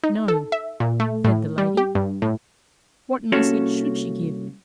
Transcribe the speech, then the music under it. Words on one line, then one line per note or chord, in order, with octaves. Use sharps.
"No!" said the lady; "What message should she give?"
D#4
A4
E5
A#2
A3
A2
G3
G4
G2
A2
C2 A#3 C#4 F#4 A4 C#5